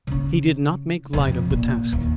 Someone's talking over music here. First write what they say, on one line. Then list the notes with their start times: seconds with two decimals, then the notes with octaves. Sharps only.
He did not make light of the task.
0.07 C#3 C#4
1.13 F2 C3
1.50 A#2
1.93 D#2